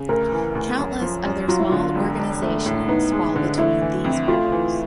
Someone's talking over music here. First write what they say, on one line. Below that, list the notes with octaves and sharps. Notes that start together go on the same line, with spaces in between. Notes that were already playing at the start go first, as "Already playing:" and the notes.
Countless other small organisations fall between these poles.
Already playing: C#3
D2 A#4
E3
D2
F#2
F3
F#2
F#3 F4
E4
D3 F4
E1
D4
A3
A2
B3 D#4
G#3
D3
A3 E4
E3
F2
A3 F4
E3